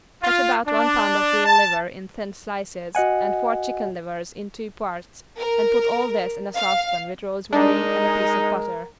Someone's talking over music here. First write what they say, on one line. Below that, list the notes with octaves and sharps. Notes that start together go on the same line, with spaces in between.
Cut about one pound of veal liver in thin slices and four chicken livers in two parts and put all this in a saucepan with rosemary and a piece of butter.
F4
D4
A5
F#4 D#5 F#5 G#5
A#4
F5
G#3 D4 D#4 A#4